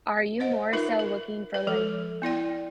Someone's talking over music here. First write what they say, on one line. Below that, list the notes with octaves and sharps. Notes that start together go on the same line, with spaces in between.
are you more so looking for, like,
C5 D#5 F#5
D#4 F4 A#4 B4 E5
A#4
B4
F3 G#3 A4
B3 E4 D5 G5